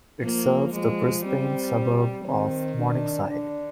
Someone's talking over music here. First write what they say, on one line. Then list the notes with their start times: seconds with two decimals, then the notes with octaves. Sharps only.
It serves the Brisbane suburb of Morningside.
0.23 F3 A#3
0.74 F3 G#3
1.24 G3 C4
2.27 D#3 C4
2.79 D4
3.29 D3 D4